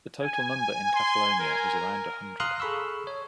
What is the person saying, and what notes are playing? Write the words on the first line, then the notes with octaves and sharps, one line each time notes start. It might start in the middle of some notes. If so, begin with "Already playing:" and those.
The total number in Catalonia is around a hundred.
G#5
C6
A#4
F5 A#5 C6 D#6 F6 F#6
G#4 A4 B5 C#6 E6
C#5